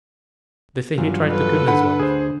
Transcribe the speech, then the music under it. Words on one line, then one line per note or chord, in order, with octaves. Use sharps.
"They say he tried to kill his wife."
E2 G2 F#3 F4
A4 B4
D3 F#5 B5
D2 G#4 C5